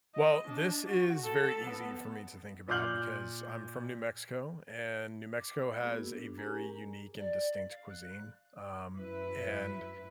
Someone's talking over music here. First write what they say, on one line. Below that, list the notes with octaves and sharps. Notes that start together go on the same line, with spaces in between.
Well, this is very easy for me to think about, because I'm from New Mexico, and New Mexico has a very unique and distinct cuisine. Um, and
D#5
D4
F#4
A4
B3
A#2 C6 D6 F6 G6 F#7
D6
G#3 B3 C5 D5 E6
A#3 B3 F#4 G#4 A#4
D4
D4
C#4 G4 G#4 A#4 G#5 A#5
D5
F5
F#6
F#2 E4 B4